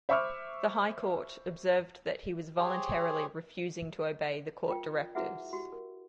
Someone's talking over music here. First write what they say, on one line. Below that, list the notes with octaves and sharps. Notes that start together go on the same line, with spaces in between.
The High Court observed that he was voluntarily refusing to obey the court directives.
C5 E5 B5 C#6 D6 F6
G4 G#4 C5 C#5
F4 A#4 G5
E4 F#4 G#4 B4 E5 F#5
F#4 G4
A#4